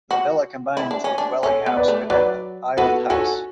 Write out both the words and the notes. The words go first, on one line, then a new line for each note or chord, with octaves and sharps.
The villa combines a dwelling house with an aisled house.
F#4
E4
D4
C#4
D4
C#4 A4 C#5
B3
B4 D5
A3
F#3 B4 D5
B3 F#4 A4
C#4 F#4 A4